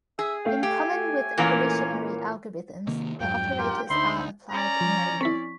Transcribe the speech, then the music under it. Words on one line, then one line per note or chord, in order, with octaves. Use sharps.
In common with evolutionary algorithms, the operators are applied in a loop.
G#4 E5
A3 F5 G5
G4 G#5
A#2 E3 A#3 C#4 A#4
C3 D#3 A#3
F2 G#2 F#3 G5
F4 G4 A#4
D2 D#4 C5 E5 B5 C6
C#4 D5 A#5
F3
C4 E4 C#6 B6